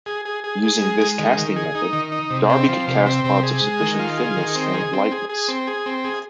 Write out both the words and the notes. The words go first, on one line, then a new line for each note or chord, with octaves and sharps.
Using this casting method Darby could cast pots of sufficient thinness and lightness.
G#4
G#4
G#4
G#4
G#3
G#3
D#3
D#3
G#4
D#4
D#3
D#4
C3
C4
F3
C3
C4
C3
G#4
G#3
D#3
F4
G#4
D#3
C4
G#4
C4
G#4
G#4
C4
G#4
C4
G#4